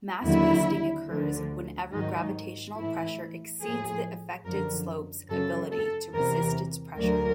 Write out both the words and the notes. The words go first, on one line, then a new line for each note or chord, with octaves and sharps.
Mass-wasting occurs whenever gravitational pressure exceeds the affected slopes ability to resist its pressure.
D#2 D3 F#3 E4
D2 D3 F3
G#2 D#3 F#3 D#4
A2 E3 E4
A2 F3 G#4
F#2 D3 F3 A#4
F#2 C#3 F#3 A4
A4
E2 C3 E3 A#4
D2 D3 F#3 A#4